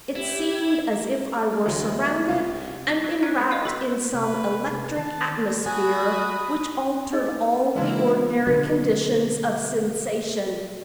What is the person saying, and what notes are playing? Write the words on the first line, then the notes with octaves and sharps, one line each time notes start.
It seemed as if I were surrounded and enwrapped in some electric atmosphere which altered all the ordinary conditions of sensation.
E4 G4
D2 E3 F#3
B3 E5
C2
F#3
C#4 D4 A#5
G#3 A3 B3
F4 D#5 F5 A#5
B1 C#6 E6 B6
C3 B4
D#3 A5
F#4 G#5 B5 D#6
D#4 G#4 D#5
C#3 E3 G#3 A#3 D4 E4 F4
B2 D3 F#3